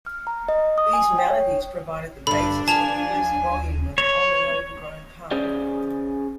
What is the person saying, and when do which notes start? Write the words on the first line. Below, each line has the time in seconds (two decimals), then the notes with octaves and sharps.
These melodies provided the basis for the first volume of "On an Overgrown Path".
0.06 F6
0.27 A#5
0.49 D#5
0.78 D#6
0.93 G#5
1.18 G5
1.30 C#5
2.27 G2 D3 D4 B5
2.68 F3 G#5 A5 F7
3.98 C#5
5.31 C#4 G#4 C5 D5